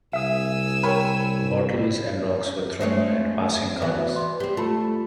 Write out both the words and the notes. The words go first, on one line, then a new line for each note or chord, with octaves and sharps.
Bottles and rocks were thrown at passing cars.
C2 E5 G#5 D#6 E6
A#4 C#5 G5 B5
G#3 A3 C5 C#5 E5
E3 B3 F#4 B4 E5
D5 C6
C4 G4
A3 F4 A5 B5